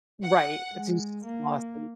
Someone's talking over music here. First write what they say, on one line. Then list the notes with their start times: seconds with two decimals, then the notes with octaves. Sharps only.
Right, I jus exhausting.
0.22 F#5
0.73 G#3
1.24 A#3